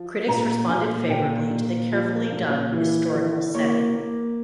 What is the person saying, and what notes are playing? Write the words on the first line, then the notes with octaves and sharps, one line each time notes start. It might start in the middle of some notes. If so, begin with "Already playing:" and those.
Critics responded favourably to the carefully done historical setting.
Already playing: F3
A#2 A#5
A#2 G#5
A#2 G5
A#2
F3
A#2
E3
E3
A#3 C#5
A#3